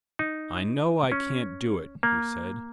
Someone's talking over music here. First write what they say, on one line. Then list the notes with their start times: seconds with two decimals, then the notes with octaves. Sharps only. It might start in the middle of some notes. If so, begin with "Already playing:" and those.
"I know I can't do it," he said.
0.19 D#4
1.12 C#4
2.03 A#3